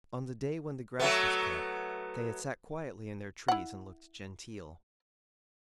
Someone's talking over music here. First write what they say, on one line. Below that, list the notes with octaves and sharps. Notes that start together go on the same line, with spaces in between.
On the day when the grass was cut, they had sat quietly in their trees and looked genteel.
F#3 A3 B3
E4 F#5